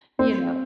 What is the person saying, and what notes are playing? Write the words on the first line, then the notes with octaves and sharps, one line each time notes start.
you know.
C4